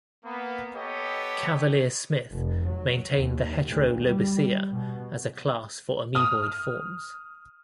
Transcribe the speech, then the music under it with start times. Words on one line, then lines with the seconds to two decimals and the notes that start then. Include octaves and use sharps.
Cavalier-Smith maintained the Heterolobosea as a class for amoeboid forms.
0.24 A#3 B3
0.76 B3 G4 A4 C#5 D#5
2.32 F1
2.65 F#3
3.16 D#2
3.69 D2
4.06 G3
4.71 B2
6.15 D#6 F6